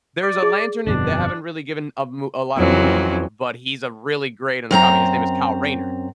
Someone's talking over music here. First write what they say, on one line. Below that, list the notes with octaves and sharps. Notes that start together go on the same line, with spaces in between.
There's a lantern in they haven't really given a a lot of movie love, but he's a really great in the comic, his name is Kyle Rayner,
D5
G#4
G1 F2 B2 D4
F2 E3 F#3 C4 C#4
F#2 C4 G#4 A#5